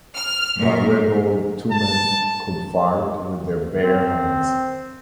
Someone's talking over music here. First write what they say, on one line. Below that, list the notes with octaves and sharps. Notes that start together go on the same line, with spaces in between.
But rebel two men could fight with their bare hands.
F6
A#2
A5
C4